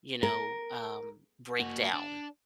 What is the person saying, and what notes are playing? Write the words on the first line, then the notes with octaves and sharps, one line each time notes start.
you know, um, breakdown,
A#4
A#3 F#4
D4